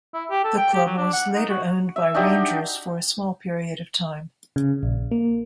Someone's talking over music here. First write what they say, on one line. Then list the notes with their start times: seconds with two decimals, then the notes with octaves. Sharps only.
The club was later owned by Rangers for a small period of time.
0.14 E4
0.31 G4
0.44 A4
0.57 G5
0.73 G4
0.86 F#3
0.98 D4
1.13 F#5
1.35 D#4
1.50 F#4
1.96 E5
2.14 D4 D#4 F#4 G4
4.56 C#3
4.83 A#1
5.11 A#3